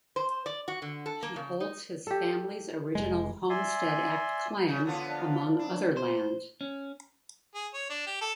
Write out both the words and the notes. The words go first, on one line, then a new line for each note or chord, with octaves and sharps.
He holds his family's original Homestead Act claim among other land.
C5
D5
F#4
D3
A4
A#3
C#3
D#4
G4 A4
F1 G#3
D5 E5 G#5 C6
A#2 C#3
D3 B3 F4 A4 C#5
F3 D4
A#4
D4
C5
C#4
G#4
C#5
D4
G4
A4